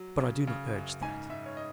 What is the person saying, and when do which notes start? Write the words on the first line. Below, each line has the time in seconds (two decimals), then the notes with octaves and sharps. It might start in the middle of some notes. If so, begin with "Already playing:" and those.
But I do not urge that.
Already playing: F#3
0.20 C#3
0.47 C#3
0.75 F#2
1.02 G#2 G#5
1.29 G#2 E5
1.46 C#5
1.57 D#5